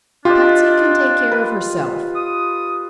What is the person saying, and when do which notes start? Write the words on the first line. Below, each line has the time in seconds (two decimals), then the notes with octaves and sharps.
"Patsy can take care of herself."
0.25 D4 F4 G4 D#5
1.32 B4
2.15 D#6